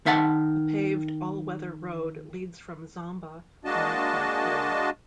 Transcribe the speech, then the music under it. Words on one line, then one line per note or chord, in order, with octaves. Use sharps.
A paved all-weather road leads from Zomba on the Plateau.
D#3 E5 F#5 A5
G#3 A#3 D4 F#4 D#5 A5